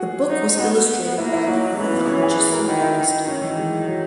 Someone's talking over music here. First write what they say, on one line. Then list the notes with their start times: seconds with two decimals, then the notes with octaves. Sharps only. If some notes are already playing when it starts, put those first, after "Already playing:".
The book was illustrated by the ornithologist and artist Yu.
Already playing: F#4 G#4
0.29 D#4
0.58 B3 F#4
1.18 A#3 E4
1.33 E4
1.47 F#3 D#4
1.77 E3 C#4
1.93 B3
2.07 C#4
2.23 G#4
2.37 G#4
2.52 A#4
2.67 D#3 F#4
2.82 E4
2.97 D#3
3.27 D#3 C#4
3.42 E3
3.56 G#3
3.86 F#3